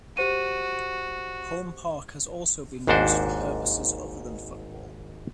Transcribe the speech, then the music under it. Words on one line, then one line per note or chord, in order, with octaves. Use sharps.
Home Park has also been used for purposes other than football.
F#4 G4 C5 D#7
G#1 D#2 G#2 D4 F#4 C5